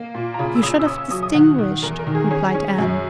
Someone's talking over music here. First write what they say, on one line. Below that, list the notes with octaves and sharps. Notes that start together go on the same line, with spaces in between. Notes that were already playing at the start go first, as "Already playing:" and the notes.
"You should have distinguished," replied Anne.
Already playing: A#3
A#2
A#5
C#3 B5
E6
C#3 D#6
E6
C#4 D#6
E6
F#3 D#6
D#6
D#3 F#5
D#3
E2 A#4
A#4
D#3
G#4
C#4 G#4
C#4
F#2